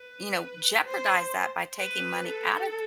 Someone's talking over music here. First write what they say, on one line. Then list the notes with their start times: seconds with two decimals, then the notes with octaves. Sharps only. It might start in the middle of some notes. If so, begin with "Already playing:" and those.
you know, jeopardize that by taking money out of
Already playing: B4
0.84 C5
1.79 B4
2.27 A4